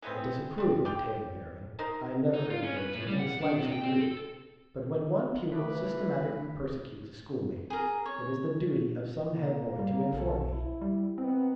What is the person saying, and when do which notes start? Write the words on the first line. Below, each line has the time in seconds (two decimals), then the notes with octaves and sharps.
I disapprove of tale-bearing, I never encourage it in the slightest degree; but when one pupil systematically persecutes a schoolmate, it is the duty of some head-boy to inform me.
0.02 E3 G#3 B3 C4
0.58 G3 C4
0.85 D5 F5 G5
1.79 D#4 A#4 C5
2.34 D#4
2.50 F4
2.62 C#4
2.76 B4
2.95 A2
3.06 G3
3.19 F#5
3.41 D4
3.57 C3
3.72 G5
3.83 C4
4.00 A4
5.52 C#3 E3 A3 B4 D6
7.70 G#4 A#4
8.06 C#5
9.29 A#3
9.79 G3
10.13 B1 C#4 F#4 A4
10.49 E4
10.82 G3
11.18 D#3 B3 C4